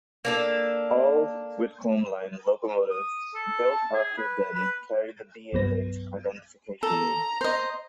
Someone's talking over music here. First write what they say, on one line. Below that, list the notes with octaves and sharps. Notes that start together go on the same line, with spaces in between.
All Whitcomb line locomotives built after then carried the B-L-H identification name.
A#3 D4 A4
D#6
A4
A5
G#4
B4
B4
C2 G2 F#3 B3 B4 A#6
A4 A#5
C5 D#5